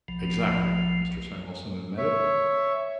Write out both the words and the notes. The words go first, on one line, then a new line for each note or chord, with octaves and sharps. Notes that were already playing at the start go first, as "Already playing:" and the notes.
"Exactly!" Mr. Samuelson admitted.
B1 F3
C#5 E5